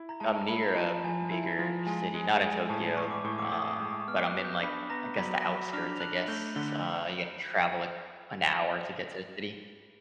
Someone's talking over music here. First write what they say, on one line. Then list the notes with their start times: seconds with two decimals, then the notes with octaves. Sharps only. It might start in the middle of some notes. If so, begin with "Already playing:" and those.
I'm near a bigger city, not in Tokyo, uh, but I'm in, like, I guess the outskirts, I guess. Uh, you gotta travel, like, an hour to get to the city.
Already playing: E4
0.09 A#5
0.20 G#3 A5
0.35 A5
0.48 E4 B5
0.62 A#5
0.76 F3 A5
1.04 F3 G#5
1.31 E4
1.59 F3
1.87 G#3 G#5
2.14 G#3
2.41 G#3 G#5
2.69 A2 A5
2.97 G#3 C#6
3.11 D6
3.24 A2 C#6
3.38 D6
3.52 A2 D#6
3.80 G#3
4.08 B3 F6
4.26 F#6
4.35 B3
4.44 G6
4.62 D4 B5 B6
4.90 B3 A#5 A#6
5.18 F#3 B5 B6
5.40 A#6
5.45 F#3 B5 B6
5.73 D4 F6 F7
5.96 F7
6.00 D4 F#6 F#7
6.28 A3 G6 G7
6.55 D3 G7